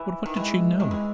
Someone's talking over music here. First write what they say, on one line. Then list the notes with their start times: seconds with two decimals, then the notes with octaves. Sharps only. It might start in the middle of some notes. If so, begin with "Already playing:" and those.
"But what did she know?"
Already playing: E3 E4
0.26 D#3
0.35 E3 G#3
0.80 D#3 G#3
0.91 E3